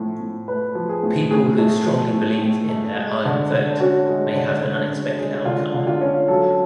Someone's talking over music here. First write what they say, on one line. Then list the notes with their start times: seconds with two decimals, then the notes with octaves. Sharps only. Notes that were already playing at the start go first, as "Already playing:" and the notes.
People who strongly believe in their "iron vote" may have an unexpected outcome.
Already playing: A2 F3
0.20 A2
0.48 A3 B4
0.75 F3
0.89 G#4
1.03 A2
1.31 A2 G#4
1.59 A3
1.87 F3
2.13 A2
2.42 A2
2.69 A3
2.96 G#3
3.25 D3
3.52 D3
3.80 C#4 F#4
4.08 G#3
4.36 D3
4.63 D3
4.90 C#4
5.18 G#3
5.45 D3 F4
5.74 D3
5.87 F4
6.01 C#4
6.28 F#3 A4